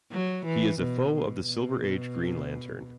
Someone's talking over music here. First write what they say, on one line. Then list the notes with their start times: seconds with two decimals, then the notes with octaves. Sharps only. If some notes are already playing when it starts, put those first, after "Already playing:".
He is a foe of the Silver Age Green Lantern.
0.12 F#3
0.46 E3
0.79 B2
1.13 B2
1.47 B2